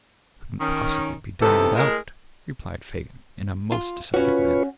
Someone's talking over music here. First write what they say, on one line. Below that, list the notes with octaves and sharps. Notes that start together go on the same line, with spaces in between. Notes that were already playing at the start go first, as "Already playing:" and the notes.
'It couldn't possibly be done without,' replied Fagin, in a most decided manner.
D#3 C#4
C3 D#3 E3 B3 C4 A4
A2 G#3 A#4
F4
C#4 F4 F#4 B4 C#5